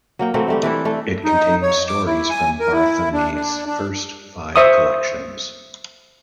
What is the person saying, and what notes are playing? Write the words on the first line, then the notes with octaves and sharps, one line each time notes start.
It contains stories from Barthelme's first five collections.
F#3 A#3 G5
E3 F#3 A3 C4
G3 A3 G4
E3 D4 E4 A4
A3 D4
D#4
C#5
D6
E4
G#5
A#4
E4
D4
D4
D4
C5 E5 C#6 D#6